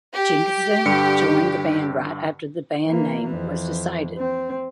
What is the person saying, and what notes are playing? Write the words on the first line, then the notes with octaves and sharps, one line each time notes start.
Jenkinson joined the band right after the band name was decided.
G4
G2 D3 C#7
E3 A#3
F2 E3
C4